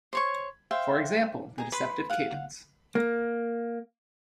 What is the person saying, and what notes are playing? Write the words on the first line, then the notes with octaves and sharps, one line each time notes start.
For example, the deceptive cadence.
C5 C#5 C#6
C5 E5 F5 G5
G#4 A#5
B4 B5 C6
F5 F#5
A#3